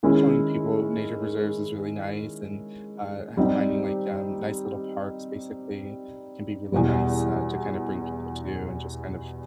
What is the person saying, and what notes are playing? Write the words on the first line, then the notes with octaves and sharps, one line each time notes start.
showing people nature preserves is really nice and, uh, finding, like, um, nice little parks basically can be really nice, uh, to kinda bring people to and just kind of
D#3 G#3 C#4 E4
G3 C4 D#4 G4
E2 B2 G3